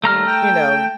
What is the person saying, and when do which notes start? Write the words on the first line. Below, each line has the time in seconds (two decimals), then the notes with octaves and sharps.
you know?
0.04 D#2 G3 A3 A#5 F6
0.26 G5